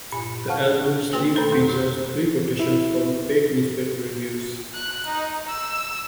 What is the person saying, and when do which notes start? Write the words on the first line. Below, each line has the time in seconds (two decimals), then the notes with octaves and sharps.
The album sleeve features three quotations from fake newspaper reviews.
0.12 G2 A#2
0.48 F5 F#5 A5 C#6 F6
1.13 D#3 A#3 F#4 B4 G5 C6
1.35 B2 A3 A4 C5 A#5 B5
1.52 F2 B2 A4 C6
1.69 F#4
2.59 E4
4.74 F#6
5.06 D#4
5.48 E6